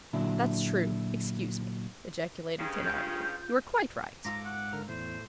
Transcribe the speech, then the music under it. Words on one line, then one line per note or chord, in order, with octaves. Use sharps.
"That's true, excuse me!" ejaculated Thenardier, "you are quite right."
A#2 D3 F#3 D4 E4
G2 C#3
F4 G6
G#2 F4 A4 A#5 D6
F#5
D3 A#4 F6
E2 A2 C5